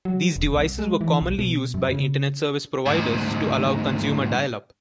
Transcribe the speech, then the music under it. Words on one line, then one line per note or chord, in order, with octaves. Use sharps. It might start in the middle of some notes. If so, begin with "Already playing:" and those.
These devices were commonly used by Internet service providers to allow consumer dial-up.
F#3
E1
C2
G#3
E3
B1
B2
F#2
C#3
D2 G#2